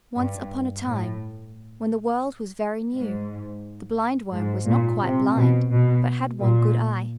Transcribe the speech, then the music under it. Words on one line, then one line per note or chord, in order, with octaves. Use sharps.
Once upon a time, when the world was very new, the Blindworm was not quite blind, but had one good eye.
G2
A2
G#2
G#2
A#2
C3
B2
B2
A#2